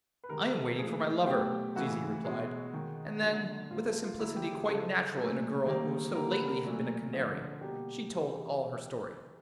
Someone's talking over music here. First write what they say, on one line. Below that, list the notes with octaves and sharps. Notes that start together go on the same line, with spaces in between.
'I am waiting for my lover,' Zizi replied; and then, with a simplicity quite natural in a girl who so lately had been a canary, she told all her story.
B4
C3 D#3 G#3 A#4
A4
A#2 F3 A3 G#4
B2 F#3 A3 G4
C#3 E3 A3 F#4
B2 G#3
D#3 G#3
D3 F#3 A#3
A2 F#3 A#3 F4
A4
F4
D3 F#3 A#3 E4
G4
G#4
C#3 F3 G#3 A4
A#2 F#3 A3
D#3 G3 A#3
D3 G3 A#3 A#4
B4
A#4
A#2 F#3 A3
D3 F3 G#3 G#4
B2 G3 A#3 G4
C3 E3 G#3